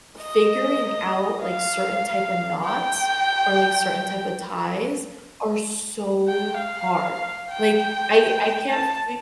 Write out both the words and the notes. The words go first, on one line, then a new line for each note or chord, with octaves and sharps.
figuring out, like, certain type a knots or, like, certain type a ties are so hard, like, I I can't fi
D#5
F5
G5
G5
F5
G5
A5